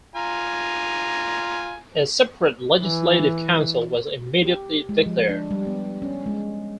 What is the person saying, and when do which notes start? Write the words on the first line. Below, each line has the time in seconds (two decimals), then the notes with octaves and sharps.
A separate legislative council was immediately declared.
0.15 F4 G#5 A#5
2.81 E3
4.45 G4
4.89 G#3
5.06 F3
5.29 D4
5.51 G3
5.67 B3
6.02 C#4
6.26 G#3